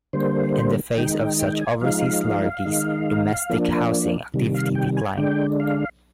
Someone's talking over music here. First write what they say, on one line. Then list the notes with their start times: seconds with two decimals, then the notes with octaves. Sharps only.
In the face of such overseas largesse, domestic housing activity declined.
0.13 D3 G3 A#3 C5
0.97 D#3 G#3 D#4 G5
1.19 G5
1.39 G5
1.61 G#5
1.81 F3 G#3 D#4 F5
2.65 D#3 G#3 D#4
3.50 F3 A#3 D4
4.34 C3 D#3 G3
4.55 F5
4.75 G5
4.97 G#5
5.17 D3 G#3 D4 G5
5.60 F5